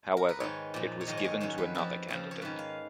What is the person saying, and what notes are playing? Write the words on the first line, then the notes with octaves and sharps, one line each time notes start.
However it was given to another candidate.
A#4
B4
G#2 D#3 C#5
A#2 F3
C#5
G#2 D#3 D#5
C#5
D#5
F#2 D#3 C#5
B4
F2 F3 B4
F2 C#3 F3
C#5
G#2 D#3 B4
F5